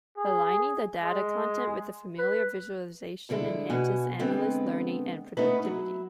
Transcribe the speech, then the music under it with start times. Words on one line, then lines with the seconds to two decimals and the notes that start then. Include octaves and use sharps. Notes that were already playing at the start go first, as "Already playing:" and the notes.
Aligning the data content with a familiar visualization enhances analyst learning and productivity.
0.17 G#4
1.03 G#3
2.18 B4
3.29 G2 D3 G#3 E4
3.70 B2 F#4 G#5
4.19 D3 G#3 B3 C4
5.37 A3 B3 C#4 D#4 B4
5.64 F#3 E4